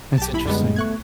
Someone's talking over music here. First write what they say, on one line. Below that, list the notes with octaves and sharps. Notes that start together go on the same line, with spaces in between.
That's interesting.
B1 G4 A5
E4 B5
F#2 D3 G3 G#3 B3
A3 B3 C#6 F#6 G#6